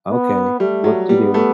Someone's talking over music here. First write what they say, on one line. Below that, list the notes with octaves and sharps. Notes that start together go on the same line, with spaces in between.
"Okay, whoop-de-doo."
B3
G3 A3
F#3
G3 B3
A3